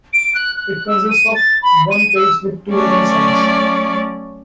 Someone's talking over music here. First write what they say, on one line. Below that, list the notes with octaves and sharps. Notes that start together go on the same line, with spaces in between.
It consists of one page with two written sides.
D7
F#6
F#6
E6
D#7
A6
B5
D#7
E6
F#3 A3 C#4 C#5 D5